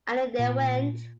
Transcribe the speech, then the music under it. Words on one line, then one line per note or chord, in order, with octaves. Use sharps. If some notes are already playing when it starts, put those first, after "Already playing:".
And in they went.
A#2